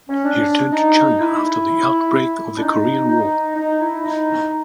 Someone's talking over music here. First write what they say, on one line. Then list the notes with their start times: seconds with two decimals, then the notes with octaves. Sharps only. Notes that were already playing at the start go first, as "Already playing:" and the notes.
He returned to China after the outbreak of the Korean War.
0.09 C#4
0.24 D4
0.72 D#4
1.20 E4
2.58 D4
2.62 D#4
3.09 D#4
3.56 D#4
3.80 E4
4.04 D#4